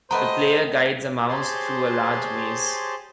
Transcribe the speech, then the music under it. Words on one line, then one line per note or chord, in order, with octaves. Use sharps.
The player guides a mouse through a large maze.
A3 B3 C5 D#5 G5 A#5
G4 G#4 C5 C#5 A5 C6